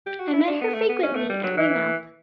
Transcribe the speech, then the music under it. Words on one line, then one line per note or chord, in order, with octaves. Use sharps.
I met her frequently at Weymouth.
G4
F#4
E4
D4
B3
A3
B3
C#4
A3
G3
F#3
E3